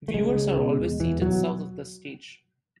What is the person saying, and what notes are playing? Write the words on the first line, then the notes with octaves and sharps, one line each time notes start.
Viewers are always seated south of the stage.
A3
C#2 G#3
C#3
B2
E2
E2 E3
B2 F#3